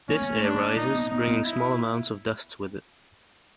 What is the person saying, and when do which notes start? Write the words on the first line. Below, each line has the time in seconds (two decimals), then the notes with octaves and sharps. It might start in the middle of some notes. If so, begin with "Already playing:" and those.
This air rises, bringing small amounts of dust with it.
0.09 A#3 C#4
0.22 A#3
0.31 A3
0.43 D4
0.54 A#3
0.76 A#3 D#4
0.94 B3
1.10 B3 D#4
1.28 B3
1.45 E4